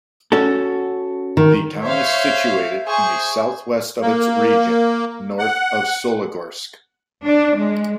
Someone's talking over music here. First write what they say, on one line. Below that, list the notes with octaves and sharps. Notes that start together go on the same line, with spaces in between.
The town is situated in the south-west of its Region, north of Soligorsk.
C#4 F#4 A4
D#3
C5 C#5 E5 F5
G#4 C5 G#5 C#6
A#3
F#5
D4
G#3